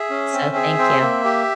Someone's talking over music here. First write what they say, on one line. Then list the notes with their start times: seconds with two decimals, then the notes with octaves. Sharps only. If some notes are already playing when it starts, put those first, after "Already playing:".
so thank you.
Already playing: G#4 E5
0.10 C#4
0.33 C4
0.56 G#4
0.78 C4
1.01 A#3
1.25 G4